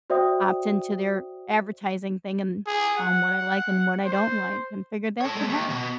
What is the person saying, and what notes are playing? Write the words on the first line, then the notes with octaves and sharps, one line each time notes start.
opt into their advertising thing and tell 'em what I like and what I don't like, and figured that could help.
F#4 C5 D5 E5 G5 D#6
G#4
F#5
C5
A4 C#5
G#3 A3
D#2
B2